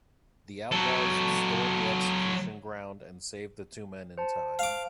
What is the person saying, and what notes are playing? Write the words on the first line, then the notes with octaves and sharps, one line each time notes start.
The outlaws storm the execution ground and save the two men in time.
F#3 A4
C5 A5
F5 D6